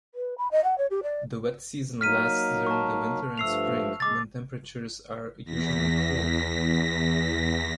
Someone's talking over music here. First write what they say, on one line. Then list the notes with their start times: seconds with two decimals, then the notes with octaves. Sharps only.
The wet season lasts during the winter and spring, when temperatures are usually cool.
0.14 B4
0.38 B5
0.51 D#5
0.64 F#5
0.78 C#5
0.90 G4
1.03 D5
2.01 F#3 A#3 D#4 F6 B6 D#7
2.67 A5 C#6
3.38 G2 F3 A3 E6 C7 F7
4.00 G#3 D6 A6
5.44 E2 A#6 B6